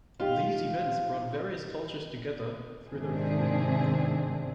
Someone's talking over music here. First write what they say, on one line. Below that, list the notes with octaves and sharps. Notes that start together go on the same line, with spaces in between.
These events brought various cultures together, through their food.
D#4 F4 G4
G#2 C3 D#3 C4 D4 G#4